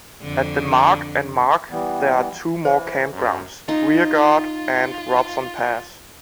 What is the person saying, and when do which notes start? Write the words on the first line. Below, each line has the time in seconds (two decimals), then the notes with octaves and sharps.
At the mark and mark there are two more campgrounds, Rearguard and Robson Pass.
0.22 F2 D3
1.71 E3 G3 B3
2.65 E3 C5
3.12 F#2
3.69 D#4 F4